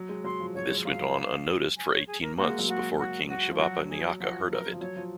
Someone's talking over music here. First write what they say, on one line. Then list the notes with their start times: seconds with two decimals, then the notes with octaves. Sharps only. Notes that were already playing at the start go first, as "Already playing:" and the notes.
This went on unnoticed for eighteen months before King Shivappa Nayaka heard of it.
Already playing: F#3
0.09 G#3
0.24 F#3 C6
0.40 F3
0.55 F#3 C#5
0.70 G#3
0.85 F#3 F5
1.77 G#5
1.92 C#5
2.07 G#4
2.22 A#4
2.38 A#3 F#4
2.48 G#3
2.59 F#3
2.68 G#3 F#4
2.99 F#4
3.29 F#4
3.51 F3
3.59 F#3 F#4
3.89 G#4
4.20 F3 F#4
4.50 A#4
4.73 F3
4.81 F#3 C#5
4.96 F3